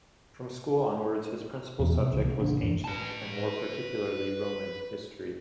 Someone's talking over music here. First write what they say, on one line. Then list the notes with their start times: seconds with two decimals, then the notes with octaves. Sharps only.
From school onwards his principal subject was ancient and more particularly Roman history.
1.79 E2 B2
1.96 C3 G3
2.12 C2 C#3 E3
2.25 A#3
2.40 A1 A2 C#3 D4
2.62 F1 G2 E3 D4
2.84 B4 A5